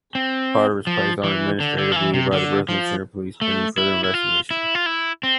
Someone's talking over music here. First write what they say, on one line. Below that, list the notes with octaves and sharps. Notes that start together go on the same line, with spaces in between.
Potter was placed on administrative leave by the Brooklyn Center police pending further investigation.
C4
F3
E3
D3
D3
F3
E3
C3
D3
F3
A3
E4
E4
F4
E4
F4
E4
C4